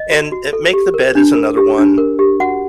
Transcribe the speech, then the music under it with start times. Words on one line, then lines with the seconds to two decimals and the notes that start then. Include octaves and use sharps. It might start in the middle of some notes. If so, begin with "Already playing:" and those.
And, eh, make the bed is another one,
Already playing: D#5
0.11 F#4
0.32 F#4
0.53 A4
0.73 G4
0.94 A#4
1.15 D4
1.35 A#4
1.57 G4
1.78 D4
1.98 A#4
2.19 G4
2.40 F#4 F#5